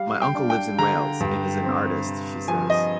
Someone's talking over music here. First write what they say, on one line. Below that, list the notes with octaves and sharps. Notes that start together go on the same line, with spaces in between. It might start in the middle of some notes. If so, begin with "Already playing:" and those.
"My uncle lives in Wales and is an artist", she says.
Already playing: G3 F5
G5
D4
G5
D3 A#5
G2
C4
C3
F3 G#5
D#5